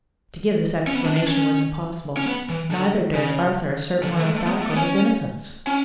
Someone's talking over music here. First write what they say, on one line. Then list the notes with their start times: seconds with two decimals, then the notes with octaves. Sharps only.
To give this explanation was impossible; neither dared Arthur assert more emphatically his innocence.
0.87 C#4
0.95 B3
1.06 D4
1.17 D4
1.28 C#4
2.17 C#4
2.27 B3
2.49 E3
2.71 D3
3.15 C#3
4.03 D3
4.14 E3
4.20 A3
4.25 G#3
4.36 A3
4.47 B3
4.62 A3
4.71 B3
4.76 C#4
5.67 C#4